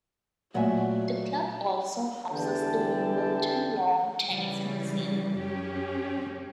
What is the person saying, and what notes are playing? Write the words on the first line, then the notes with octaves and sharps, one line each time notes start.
The Club also houses the Wimbledon Lawn Tennis Museum.
A#2 F#3 A3 F#4 E5 G#5
E2 D3 E3 G4 G5 A5
C#3 E3 G3
F#2 C#4 G4